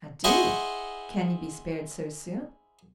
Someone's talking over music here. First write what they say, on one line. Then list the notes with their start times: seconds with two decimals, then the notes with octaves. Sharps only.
"I do: can you be spared so soon?"
0.24 E4 G#4 C5 D#5 F#5 C#6